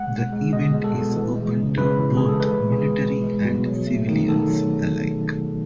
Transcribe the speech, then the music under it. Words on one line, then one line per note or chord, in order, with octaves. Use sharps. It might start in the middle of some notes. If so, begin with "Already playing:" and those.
The event is open to both military and civilians alike.
Already playing: G#3 F#5
B2
G#3
B2 D#5
G#3
A4
B2
E3
G#3
C#3
C#3 B4
E3
G#3 G#4
A4
G#3 B4
B2
G#4
G#3
B2
G#3
B2
F#3
A3
D#3
D#3 A4
F#3